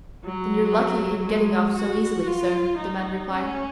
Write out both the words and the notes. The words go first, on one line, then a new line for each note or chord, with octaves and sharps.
"Then you're lucky in getting off so easily, sir," the man replied.
F#3
G#3
F#4
F4
D#4
C#4